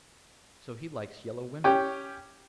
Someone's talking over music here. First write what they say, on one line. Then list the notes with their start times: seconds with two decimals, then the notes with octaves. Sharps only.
'So he likes yellow women!
1.64 C#4 G4 G5